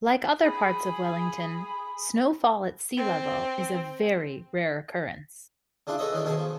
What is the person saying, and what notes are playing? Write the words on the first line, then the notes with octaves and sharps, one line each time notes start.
Like other parts of Wellington, snowfall at sea level is a very rare occurrence.
G#4 B5
C4
C#3 D4 E4 F4 G#4
G#4 A4 B4 C#5 D#5 E5
D#3 E3 C#4 G#4
B2 D#3 C#4 G#4 G#5 A5
F3